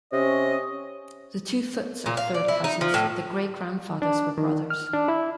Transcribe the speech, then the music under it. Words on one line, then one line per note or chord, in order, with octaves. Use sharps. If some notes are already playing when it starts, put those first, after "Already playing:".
The two Footes are third cousins; their great-grandfathers were brothers.
C3 C#4 C#5 D#5
A#2
F5
D5
E4
D#4
F3
A2
D4
D#3
F6
D4
E4